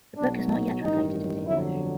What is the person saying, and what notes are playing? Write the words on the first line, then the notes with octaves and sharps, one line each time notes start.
The book is not yet translated into English.
B1 B2 F#3 D4
D#4
A1 G2 D#3 D#4
G1 F2 D3 F#3 E4